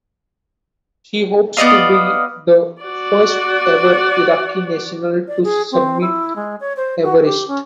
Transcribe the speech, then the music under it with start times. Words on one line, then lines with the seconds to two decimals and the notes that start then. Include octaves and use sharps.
She hopes to be the first ever Iraqi national to summit Everest.
1.57 B3 D5 D#5 F5
2.82 F#4 D5
5.28 D5
5.44 G#4
5.72 C4
6.01 E4
6.36 G#3
6.60 C#5
6.76 C5
7.04 F#4
7.24 G4
7.48 C#4